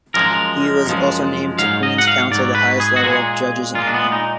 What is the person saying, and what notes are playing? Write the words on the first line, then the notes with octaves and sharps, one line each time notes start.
He was also named to Queens Counsel, the highest level of judges in England.
F#2 F3 G#3 A#4
F#2 F3 G#3
G#2 F#3 F5
D#5
F#5
F5
G#2 F#3 D5
B4
G#4
F#4
A#2 G#3 G#4
A#2 G#3 F4
D4
B3
D#4